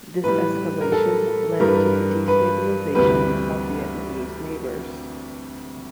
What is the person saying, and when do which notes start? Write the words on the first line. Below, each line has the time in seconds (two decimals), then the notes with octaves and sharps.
This escalation led to the destabilisation of Vietnamese neighbours.
0.24 A2 E3 G3 B4
0.81 A#4
0.92 A4
1.60 G2 E3 G3 A#4
1.68 B4
1.74 A#4
2.28 B4
2.95 D2 C3 E3 G3 B4